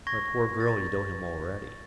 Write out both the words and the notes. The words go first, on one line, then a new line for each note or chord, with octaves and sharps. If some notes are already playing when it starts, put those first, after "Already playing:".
"My poor girl, you know him already."
C#6 G#6 A#6
A6